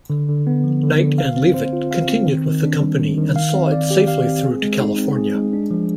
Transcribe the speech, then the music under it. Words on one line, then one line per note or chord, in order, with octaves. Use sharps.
Knight and Leavitt continued with the company and saw it safely through to California.
D3
D3
B3
F3
D3
D3
F5
C4
C5
F4
F5
C4
D#3
D#3
D4
G3
D#3
D#3
F5
C4
D5
G4
F5
C4
G#4
G#3
D#4
C4
G#4
G#3
D4
F3